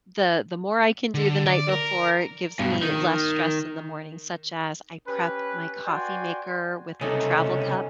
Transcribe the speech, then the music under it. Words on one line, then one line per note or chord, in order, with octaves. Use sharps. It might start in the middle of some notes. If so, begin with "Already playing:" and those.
the the more I can do the night before, it gives me less stress in the morning, such as, I prep my coffee maker with my travel cup,
D3
D5
A#4
G2 B2
D#3
C#4 G4 B4
F#4 D5 G5 G#5 C6
C#2 C3 A3 C#4 D#4